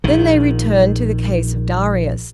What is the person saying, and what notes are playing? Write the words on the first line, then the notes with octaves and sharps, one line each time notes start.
Then they returned to the case of Darius.
A#1 D#3